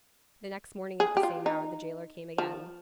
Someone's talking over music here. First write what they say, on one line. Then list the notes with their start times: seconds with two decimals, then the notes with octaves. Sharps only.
The next morning at the same hour, the jailer came again.
1.00 G#4
1.17 G4
1.23 F4
1.46 D#4
2.38 F3